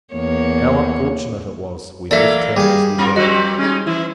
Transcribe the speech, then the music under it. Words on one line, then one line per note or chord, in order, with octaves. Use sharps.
How unfortunate it was, we left town as we did!
E2 A#3 C#5
E3 F#3 A3 A#3 A4 D5 E5
G3 G#4 F5
A#3 C#4 F4 A#4
F2 C4 F#4 G4 D#5
G#3 C#4 D#4
E3 E4